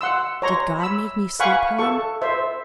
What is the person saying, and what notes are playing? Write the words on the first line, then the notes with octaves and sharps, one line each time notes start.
"Did God make me sleep, Helen?"
F#5 C6 E6
C#5 A#5 C6
B5 E6
F5 F#5 G#5 B5 C#6
A4 C#6
C5 E5